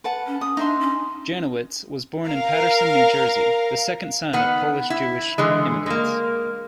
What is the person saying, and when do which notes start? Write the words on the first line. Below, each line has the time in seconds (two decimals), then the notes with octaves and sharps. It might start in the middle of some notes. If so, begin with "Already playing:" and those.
Janowitz was born in Paterson, New Jersey, the second son of Polish-Jewish immigrants.
0.04 B4 F#5 A5
0.27 C#4
0.41 C#4 D#6
0.57 D4 D#4 E5 C6
0.80 C#4
2.26 A#4 F5
4.33 D#3 B3 F#5
4.90 E4
5.38 D3 E3 G#3
5.86 G#3 A#3